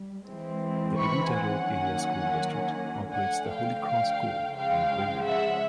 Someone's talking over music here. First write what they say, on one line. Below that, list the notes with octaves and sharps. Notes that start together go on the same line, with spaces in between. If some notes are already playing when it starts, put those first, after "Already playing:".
The Iditarod Area School District operates the Holy Cross School in Grayling.
Already playing: G3
E3 G#3 C4
B5 C#6
F#5 G#5
D#3 F#3 A#3 C#4
D3 F3 A3 F#5 G#5
F5 G5
F5 G5
C#3 F3 G#3 F5 G5
E5 F#5